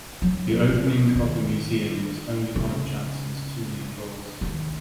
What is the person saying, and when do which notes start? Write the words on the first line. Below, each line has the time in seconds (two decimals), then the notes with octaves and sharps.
The opening of the museum was only one of Jansen’s two main goals.
0.22 F#3
0.69 E3
1.15 D#3
2.56 C#3
4.41 D#3